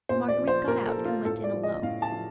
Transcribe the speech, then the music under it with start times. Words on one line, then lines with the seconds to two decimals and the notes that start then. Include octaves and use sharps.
Marguerite got out and went in alone.
0.09 A#2 C5
0.28 D5
0.38 F3
0.48 C5
0.67 A#2 A#4
0.87 A4
0.96 F3
1.05 F4
1.25 A2 A4
1.44 D5
1.53 F3
1.63 D#5
1.82 A2 F5
2.02 A5
2.12 F3